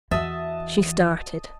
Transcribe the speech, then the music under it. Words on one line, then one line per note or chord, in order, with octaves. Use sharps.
She started.
E2 E3 F#4 D#5 E5 A5